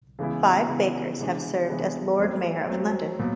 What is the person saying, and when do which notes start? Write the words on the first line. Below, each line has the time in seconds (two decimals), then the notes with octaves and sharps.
Five bakers have served as lord mayor of London.
0.19 C#3 E3 G#3 B3 E4
0.68 C#3 E3 G#3 B3 E4
1.19 C3 E3 G#3 B3 D4
1.69 C3 E3 G#3 B3 D4
2.19 F#3 A3 C4
2.69 F#3 A3 C4
3.19 A#2 F#3 B3